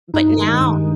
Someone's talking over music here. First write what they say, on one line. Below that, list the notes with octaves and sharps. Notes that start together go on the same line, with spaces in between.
but now
G2 D#4
D#3 G#3
G2